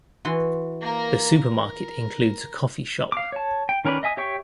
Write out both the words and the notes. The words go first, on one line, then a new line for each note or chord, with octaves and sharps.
The supermarket includes a coffee shop.
E3 F#4 C6
A#3 A#4
A#4
F5 D6
C#5 A5
G5
D#3 C#4 A#4 B4 D5
D#5 E5 G#5 D#6
G4 C#5 E5 G5 C#6